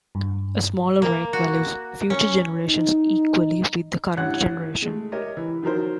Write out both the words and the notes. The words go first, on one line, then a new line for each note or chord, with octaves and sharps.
A smaller rate values future generations equally with the current generation.
G2
A#3
F#4
C#4
D#4
A1 G2 C#5 F#5 F#6
G#3 A3
G4 A#4 C#5 D#5 E5
E3
D#3 F3 F#3 A#4 C5